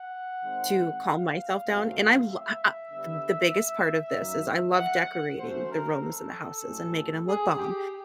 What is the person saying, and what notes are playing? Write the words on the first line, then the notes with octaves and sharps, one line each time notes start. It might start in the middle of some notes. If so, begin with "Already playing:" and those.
to calm myself down, and I lo I I th the biggest part of this is I love decorating the rooms and the houses and making 'em look bomb.
Already playing: F#5
D#3 G#3 C4
F5
F#2 D#3 F#3 A3 C4
E5
D3 G3 B3
F#2 D#3 F#3 A#3
F#5
D#3 F#3 A3 C#4 C5
A#4
A4
A2 F#3 A3 C#4
G#4
G4